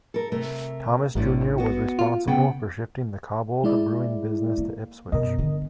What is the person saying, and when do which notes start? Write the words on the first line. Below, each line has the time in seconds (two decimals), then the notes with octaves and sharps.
Thomas junior was responsible for shifting the Cobbold brewing business to Ipswich.
0.14 A4 A#4
0.32 C3 A3 A#4
1.15 A1 F#2 A2 D3
1.58 B3 F#4
1.99 F4
2.28 C#3 B3 F#5 G5
3.64 G#3 E4 D5
4.58 A#3
5.12 F#2 B2 A#4 D#5
5.38 G1 D3